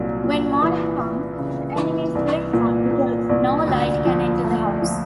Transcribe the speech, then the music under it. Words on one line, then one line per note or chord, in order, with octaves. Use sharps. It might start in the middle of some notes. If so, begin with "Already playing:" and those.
When morning comes, the enemies sleep on, because no light can enter the house.
Already playing: C2 A#2 F#3
A#2
E3
E3
C#3
E3
C2
A#2
A#2
C2
D2
F3
A3
F3